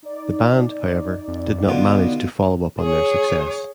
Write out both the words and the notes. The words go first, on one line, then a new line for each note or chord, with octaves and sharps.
The band, however, did not manage to follow up on their success.
D#4 D5
F2
B2 D3 B3 F4
G#4 C#5